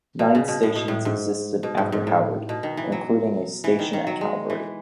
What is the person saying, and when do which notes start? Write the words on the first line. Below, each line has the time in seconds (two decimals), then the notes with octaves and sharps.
Nine stations existed after Howard, including a station at Calvary.
0.19 B2
0.35 C#3
0.48 B2
0.63 A2
0.76 B2
0.88 A2
1.05 G#2
1.63 B2
1.78 G#2
1.92 G#2
2.07 A2
2.49 B2
2.63 D#3
2.77 E3
2.92 F#3
3.64 E3
3.79 D#3
3.93 D#3
4.07 F#3
4.21 G#3
4.50 E3